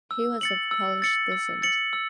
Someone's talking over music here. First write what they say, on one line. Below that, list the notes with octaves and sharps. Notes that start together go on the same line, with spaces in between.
He was of Polish descent.
E6
A6 C#7 F#7
E6
A6 C#7 F#7
E6
A6 C#7 F#7
E6